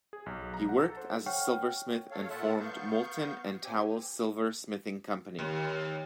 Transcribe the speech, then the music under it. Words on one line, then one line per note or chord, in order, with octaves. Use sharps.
He worked as a silversmith and formed "Moulton and Towle Silversmithing Company".
G#4
B1
A#5
F#5
A4
C5
C#5 F#5 G5 C#6 F6
A4 C#5 F5
A#2 F4 A4 E5 F#5 A5
B3 F5 C#6 G6
C4 G4 G#5
D#2